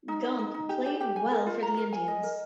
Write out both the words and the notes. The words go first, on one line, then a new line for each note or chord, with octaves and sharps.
Gump played well for the Indians.
D#4
D#4
D#4
D#4
G4
G4
G4
G#5
A#4
F4
A#5
A#4
G#5
D#5
A#4